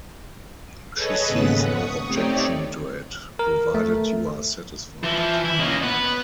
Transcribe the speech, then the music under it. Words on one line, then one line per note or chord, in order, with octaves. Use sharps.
She sees no objection to it, provided you are satisfied.
G#4 A4 B4 C#5 D#5
D#2 G#2 C#3 B3 B4 F#5
C#6 D#6
A3 C4 D#4 G4 C#5 D5
A#4
A3
E3 F3
E4
E3 A#3 C#4 D#5
B3 B4